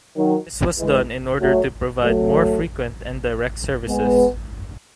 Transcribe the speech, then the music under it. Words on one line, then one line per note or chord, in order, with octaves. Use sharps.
This was done in order to provide more frequent and direct services.
D#3 F#3
E3 G#3
F#3 A3
F#3 A3
G#3 B3